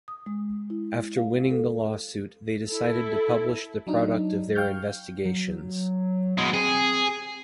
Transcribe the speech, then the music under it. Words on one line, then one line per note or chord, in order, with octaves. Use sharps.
After winning the lawsuit they decided to publish the product of their investigations.
D#6
G#3
E4
F5
A4
E4 A4
F#3 D4 D#4
F5 G5 C#6 F6 G6
F#3
B2 G#3
C4 G#4